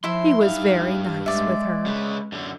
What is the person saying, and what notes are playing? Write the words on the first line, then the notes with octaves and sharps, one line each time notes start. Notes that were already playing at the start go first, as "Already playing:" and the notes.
He was very nice with her.
F3 E4 E5 C6
G2 D#4 F5
G#3 D5 E5
C#3 B4
F#2 D3